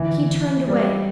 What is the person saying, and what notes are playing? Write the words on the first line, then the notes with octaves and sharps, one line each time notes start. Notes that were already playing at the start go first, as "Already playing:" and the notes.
He turned away.
Already playing: D3 E3
G3